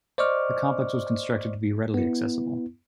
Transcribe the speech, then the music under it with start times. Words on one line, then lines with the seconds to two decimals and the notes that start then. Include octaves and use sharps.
The complex was constructed to be readily accessible.
0.18 C5 D5 D#5 C#6 D6 F6
1.94 B3 E4